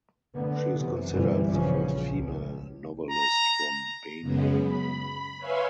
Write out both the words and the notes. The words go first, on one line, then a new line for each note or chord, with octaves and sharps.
She is considered the first female novelist from Benin.
D3 B3
F#2 C3 E3
G1 E2 G2 C3 E3 G3
A#1 E2 A#2 C#3 F3 C#4
C#2
A#5
F#2 C#3 G#3 B3
B5
B4 C#5 E5 F5 G#5 C6